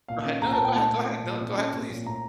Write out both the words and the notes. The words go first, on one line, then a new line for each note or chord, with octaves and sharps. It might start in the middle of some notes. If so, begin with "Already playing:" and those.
go ahead. No, no, go ahead, go ahead. No, go ahead, please.
A#2 F5
C#4
A#2 A#5
A5
A#2
G5
A3 A5
A#2
A3
A#2
A#2
C#4
A#2
A#2
A2 A#5